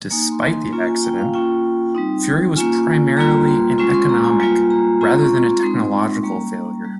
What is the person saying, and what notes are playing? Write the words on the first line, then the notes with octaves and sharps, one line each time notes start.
Despite the accident, Fury was primarily an economic rather than a technological failure.
A#3 D#4 G#5
C6
C6
A#3 C#4 F4 A#5
G#5
G5
F5
A#3 C#4 F4 G5
G3 C4 D#4
A#3 C#4 F4 G#5
G3 A#3 F4 A#5
C6
G#3 C#4 F4 C#6
C6
A#5
G#5
G3 A#3 F4 G#5
A#5
G#3 C4 F4 A#5
C#6
C6
G#3 C4 D#4 C6
C#6
G3 A#3 C#4 A#5
G3